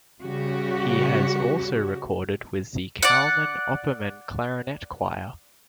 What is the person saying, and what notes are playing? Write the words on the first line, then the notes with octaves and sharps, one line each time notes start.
He has also recorded with the Kalmen Opperman Clarinet Choir.
C#3 G3 F#4 G4
D5 F#5